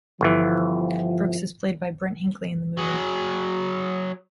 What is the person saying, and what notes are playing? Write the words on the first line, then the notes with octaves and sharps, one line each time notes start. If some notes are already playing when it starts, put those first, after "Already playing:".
Brooks is played by Brent Hinkley in the movie.
G1 E3 F3
F#3 G#4